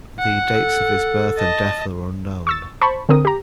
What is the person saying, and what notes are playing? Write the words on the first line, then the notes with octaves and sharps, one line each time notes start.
The dates of his birth and death are unknown.
F#5
A4
D#5 A5
C#6 E6 A6
C5 A5 B5 C#6
D3 C4 A#4 D#6
G4 A#5